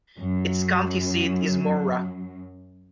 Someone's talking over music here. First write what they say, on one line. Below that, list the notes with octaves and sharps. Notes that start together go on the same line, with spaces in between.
Its county seat is Mora.
F#2 F#3